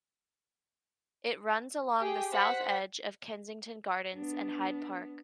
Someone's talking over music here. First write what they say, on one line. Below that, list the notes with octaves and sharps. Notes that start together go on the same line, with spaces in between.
It runs along the south edge of Kensington Gardens and Hyde Park.
G4 G#4 G5
C5 F#5 B6
B3 D4